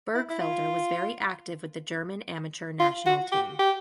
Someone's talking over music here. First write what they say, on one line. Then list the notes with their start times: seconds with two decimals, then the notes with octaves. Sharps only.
Bergfelder was very active with the German amateur national team.
0.14 E4
0.30 E4
0.41 F4
2.80 F4
3.06 F#4
3.32 G4
3.59 G4